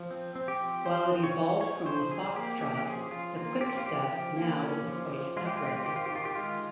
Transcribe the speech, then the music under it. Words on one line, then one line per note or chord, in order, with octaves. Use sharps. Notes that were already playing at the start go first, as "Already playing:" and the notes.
While it evolved from the foxtrot, the quickstep now is quite separate.
Already playing: F3
C4
C4
G4
F3
F3 C5
C4
C#5
C4
F3 C#5
F3 C5
C4 G#4
A#3 G4
C#4 G4
G4
F3 G#4
F3 F4
A#3 F4
C#4 G4
F4
F3 G4
F3
A#3
C#4
F3
F3
G#3 F4
G4
F4
C4 G4
F4
D#3 G4
F4
G4
D#3 F4
G4
G#3 F4